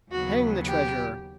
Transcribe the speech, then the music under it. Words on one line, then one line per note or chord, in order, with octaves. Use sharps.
Hang the treasure!
D#2 C#3 F#3 B3 F#4
G4